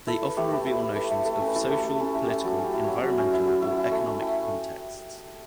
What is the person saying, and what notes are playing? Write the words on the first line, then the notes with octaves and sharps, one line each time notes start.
They often reveal notions of social, political, environmental or economic contexts.
E4 A4
E4 B4
A3 G4
A3 A4
E4 A4
E4
A3 B4
A3
A3 A4
C#4
B4
E4 A4
G4
A3 A4
A3
C#4 A4
E4
G4
A3
F#3 A4
C#4 G4
E4
F#3 C#5
F#3 D5
C#4
E4 E5
F#3
E4
E4
A3
A3
E4 G5